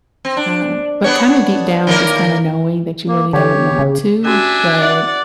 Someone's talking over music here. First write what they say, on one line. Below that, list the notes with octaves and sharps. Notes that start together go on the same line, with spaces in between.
um, but kinda deep down, just kinda knowing that you really don't want to, but,
C4
D4
B3 D4 C#5
D#3 A#3 A#4
A#3
D3 G4 C#5
C#3
C#4 D4 F#4 G4 E5 G#5
D5 E5 F#5